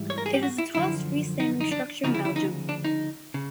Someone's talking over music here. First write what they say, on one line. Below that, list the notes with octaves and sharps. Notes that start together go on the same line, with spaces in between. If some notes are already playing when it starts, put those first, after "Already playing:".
It is the tallest free standing structure in Belgium.
Already playing: G#2 E3 G3
C#5
A#4
G#4
G4
F#4
E4
F#2 D3 F3 E4
D#4
D#4
D4
D2 C#3 F3 D#4
E4
E4
D#4
D4
D#4
C#3